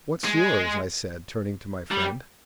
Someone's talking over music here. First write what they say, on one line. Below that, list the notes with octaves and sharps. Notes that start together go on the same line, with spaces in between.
"What's yours?" I said, turning to my friend.
G#3
G3